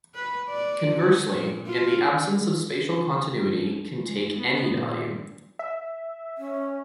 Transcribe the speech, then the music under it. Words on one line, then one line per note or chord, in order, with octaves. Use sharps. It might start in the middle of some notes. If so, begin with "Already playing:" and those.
Conversely, in the absence of spatial continuity can take any value.
B4
D5
F#4
A#2
F4
G#3
B3
A#2
E5
C#4